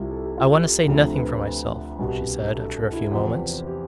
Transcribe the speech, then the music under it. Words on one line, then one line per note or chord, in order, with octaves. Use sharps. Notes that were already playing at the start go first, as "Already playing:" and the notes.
'I want to say nothing for myself,' she said, after a few moments.
Already playing: C2 C3 G3 E4 F4
A4
G4
F4
G4
D2 C3 F3 A4
B4
C2 B2 G3
A4
E4
E2 C3 F3 G4
G4